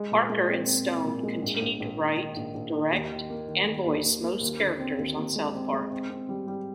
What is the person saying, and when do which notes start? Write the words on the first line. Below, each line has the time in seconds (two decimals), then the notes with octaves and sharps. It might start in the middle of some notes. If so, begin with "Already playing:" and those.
Parker and Stone continue to write, direct, and voice most characters on "South Park".
Already playing: G#3
0.11 A#2
0.30 G#3
0.49 C4
0.67 C4
0.87 C4
1.04 A#2
1.23 G#3
1.42 A#1
1.61 A#1
1.80 A#1
1.98 D#3
2.17 D#3
2.36 A#1
2.54 A#1
2.73 D#3
2.92 D#2
3.10 D#3
3.30 A#3
3.48 D#3
3.66 D#3
3.85 D#2
4.04 D#2
4.23 A#3
4.41 D#2
4.60 D3
4.79 C4
4.98 D#2
5.17 D#2
5.36 G#3
5.55 C4
5.73 G#3
5.91 C4
6.10 C4
6.29 G3
6.47 G3